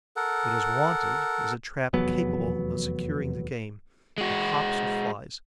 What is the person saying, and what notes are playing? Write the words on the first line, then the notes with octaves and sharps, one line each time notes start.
What is wanted is a trap capable of securing the game that hops or flies.
A4 A#4 F#5
F1 E2 F#3 B3
G#3 F#4